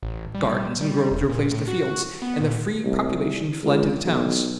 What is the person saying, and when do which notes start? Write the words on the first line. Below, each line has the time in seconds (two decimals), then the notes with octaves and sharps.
Gardens and groves replaced the fields, and the free population fled to the towns.
0.03 A1
0.35 G3
0.81 G3
1.11 E1
1.30 A#2
1.51 A2
1.68 F#4
2.22 B3
2.41 A#2
2.84 C2
3.64 C#2
4.05 B1